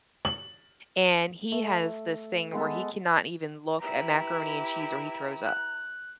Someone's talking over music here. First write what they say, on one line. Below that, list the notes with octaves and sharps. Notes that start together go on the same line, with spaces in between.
And he has this thing where he cannot even look at macaroni and cheese or he throws up.
F#7
A3
G#3 B3 A4
E4 G4 B4 A#5
F#6